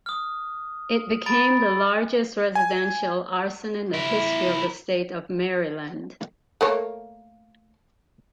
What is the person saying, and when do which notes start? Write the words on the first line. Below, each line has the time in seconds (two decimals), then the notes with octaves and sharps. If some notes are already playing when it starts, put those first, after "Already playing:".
It became the largest residential arson in the history of the state of Maryland.
0.06 D#6 F6
1.26 A#5 B5 A6 D7
2.55 G#5
3.94 E4 A#4
6.61 A3 A#3 C#5